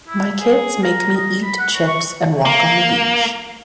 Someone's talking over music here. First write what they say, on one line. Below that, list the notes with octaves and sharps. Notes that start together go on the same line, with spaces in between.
My kids make me eat chips and walk on the beach.
E4
G#4
A#4
D#5
B5
F#5
F#4
C#6
A#3